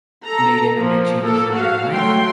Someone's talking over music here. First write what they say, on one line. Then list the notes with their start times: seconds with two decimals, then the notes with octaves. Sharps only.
made any big changes in your life
0.25 A4 A#5
0.76 F3 A#3
1.22 A#3 A4
1.53 F#4 F5
1.93 F#3 A3 G5 C6